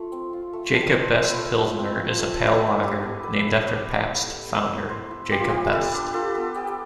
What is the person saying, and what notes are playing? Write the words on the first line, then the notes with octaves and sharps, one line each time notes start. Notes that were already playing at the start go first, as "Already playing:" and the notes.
"Jacob Best Pilsner" is a pale lager named after Pabst's founder, Jacob Best.
Already playing: A3 F4
C4
F4
A3
A3 A5
G5
C4 A5
C5
F4
A4
B4
A3
A3
C4
F4
A3
E4 B4
A4
E4
B4
B3 G4
B3
E4 B4
E4
B3
B3
E4
E4
B3
B3
E4 C5
E4
B3 G4
F4
B3 G4
B4
B3 A4
D4 B4
F4 A4
B3 A4
B3 G4